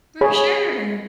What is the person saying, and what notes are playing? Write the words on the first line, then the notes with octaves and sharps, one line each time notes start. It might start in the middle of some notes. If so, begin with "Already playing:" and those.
For sure.
G#4 C#5 B5